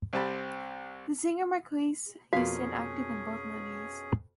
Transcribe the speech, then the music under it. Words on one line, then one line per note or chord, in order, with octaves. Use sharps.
The singer Marques Houston acted in both movies.
C2 C4 G4 A5 B5
F2 B2 A#3 C#4 F4 F#4 G#4 F5